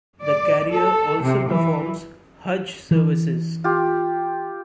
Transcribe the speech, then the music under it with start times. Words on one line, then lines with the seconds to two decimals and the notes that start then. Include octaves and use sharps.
The carrier also performs Hajj services.
0.23 D5
0.71 A4
1.22 C3
1.50 E3
2.91 E3
3.64 F4 G4